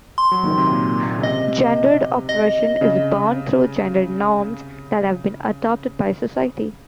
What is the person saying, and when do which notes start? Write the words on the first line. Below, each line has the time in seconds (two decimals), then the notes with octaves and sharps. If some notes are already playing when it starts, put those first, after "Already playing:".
Gendered oppression is born through gender norms that have been adopted by society.
0.18 C6
0.31 F#3
0.45 D#3
0.58 C3
0.71 A#2
1.06 A#2
1.18 C#3
1.23 C3 D#5
2.29 D#5
2.81 C#3